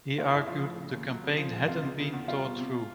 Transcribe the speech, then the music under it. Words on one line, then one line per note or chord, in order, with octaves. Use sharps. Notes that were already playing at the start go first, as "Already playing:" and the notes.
He argued the campaign hadn't "been thought through".
D#3 F4
G2 E4
F3 F4
A2
C#3
D#2
F#3
C#3
F3
G#2
C3 F4
C#2
C#3
E2
G3 F4
B2
C3